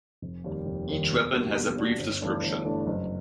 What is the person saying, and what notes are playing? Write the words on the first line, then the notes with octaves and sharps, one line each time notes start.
Each weapon has a brief description.
F1
D#2 D#3 G3
F1
D#2 D#3 G3
B2
G3 A#3 D4 F#4
B2
G3 A#3 D4 F#4
G1
G2 E3 A3 D4
G1
G2 E3 A3 D4
F#1